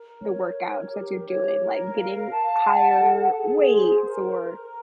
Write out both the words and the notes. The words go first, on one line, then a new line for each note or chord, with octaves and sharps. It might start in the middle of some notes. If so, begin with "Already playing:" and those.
the workouts that you're doing, like getting higher weights or
Already playing: A#4
C#5
A#4
G4
C#5
A#4
F5
A5
F#5
A4
G#4
C5
A#4
A#4